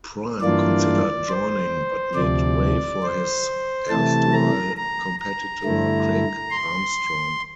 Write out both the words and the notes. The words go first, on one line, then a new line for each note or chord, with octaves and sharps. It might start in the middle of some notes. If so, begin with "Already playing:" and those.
Prime considered joining but made way for his erstwhile competitor Craig Armstrong.
G2 E3 A#3 D4 F4 D5
C5
D2 C3 F3 D5
C5
C3 E3 A3 A5
A#5
A#5
A#5
G2 D3 A3 E4
C6